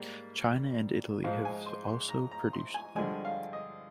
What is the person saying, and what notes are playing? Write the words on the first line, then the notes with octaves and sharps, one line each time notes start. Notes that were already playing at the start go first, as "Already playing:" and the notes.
China and Italy have also produced them.
Already playing: G#2 G3 A#3 D5
G#2 F3 G#3 F5
G#5
C6
C6
A#5
A#5
C6
G#5
G2 D3 F3 G#3 G#5
F5
D#5